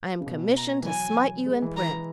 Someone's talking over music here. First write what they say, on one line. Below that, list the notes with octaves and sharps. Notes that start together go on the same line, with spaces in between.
I am commissioned to smite you in print.
C#3
B2
A#5
E3
F#3 G#5
G#3
E3
E3 A#5